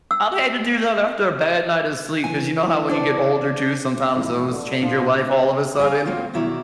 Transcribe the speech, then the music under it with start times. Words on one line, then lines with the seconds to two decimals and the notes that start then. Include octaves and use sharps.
I've had to do that after a bad night of sleep. 'Cause you know how when you get older, too, sometimes those change your life all of a sudden?
0.11 E6
2.24 E3 G#5
2.89 D4 A4 C5
4.16 A1 F2 G#2 E4
4.50 D3
4.82 D2 A#2 F3 D4
5.79 G#4 A#4 B4 D5 F5
6.05 A#2 F#3 A#3 C4 F4
6.33 B2 D#3 F#3 E4 D5 A#5